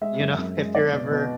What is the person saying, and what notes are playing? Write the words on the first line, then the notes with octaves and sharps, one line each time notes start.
you know, if you're ever
G#3 E5
F#2
F#2
G#3
B1 D5
B2
B2